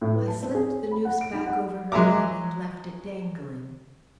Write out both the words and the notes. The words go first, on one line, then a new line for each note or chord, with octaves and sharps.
I slipped the noose back over her head and left it dangling.
A2
B4
A5
C4
G#4
C#5
B5
F#5
D7
D#4
F#5
F#3 G#3 E5 A#5 D6